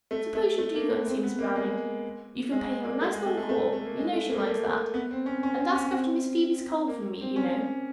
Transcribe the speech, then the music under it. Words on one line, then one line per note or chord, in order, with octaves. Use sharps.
Suppose you do go and see Miss Browning; you can pay her a nice long call, you know she likes that; and ask after Miss Phoebe's cold from me, you know.
A3
A3
A3
A#3
B3
C4
B3
A#3
G#3
G#3
A#3
A3
G#3
A3
A3
A3
A3
A#3
G#3
A3
A#3
A3
A#3
B3
C4
C#4
C#4
C4
C#4
C4
A#3
C4
C#4